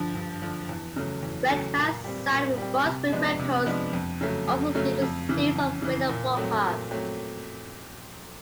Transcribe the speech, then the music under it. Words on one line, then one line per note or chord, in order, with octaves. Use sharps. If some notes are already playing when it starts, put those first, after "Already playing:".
Redman signed with Brunswick Records and also did a series of radio broadcasts.
Already playing: G2 D3 F3
G2
D3 F3
E2
C#3 F#3 A3
E2
C#3 F#3 A3
A#2
G3 C4
A#2
G3 C4
C3
F3 G#3 B3 D4
C3
F3 G#3 B3 D4
F2
C#3 F#3 A3
F2
C#3 F#3 A3
F2
C#3 E3
F2
C#3 E3
A#2
F#3 A3 C4
A#2
F#3 A3 C4